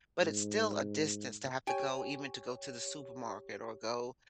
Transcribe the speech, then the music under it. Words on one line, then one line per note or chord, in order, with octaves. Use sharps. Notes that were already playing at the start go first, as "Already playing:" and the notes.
but it's still a distance to have to go even to go to the supermarket or go
G#2
G4 C#5 G5 G#5